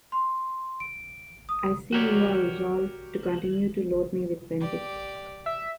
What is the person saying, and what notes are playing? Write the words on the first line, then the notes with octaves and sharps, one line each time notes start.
I see you are resolved to continue to load me with benefits.
C6
D7
D#6
F#4 G4 A#4 C#5 D5
G4 D5
E5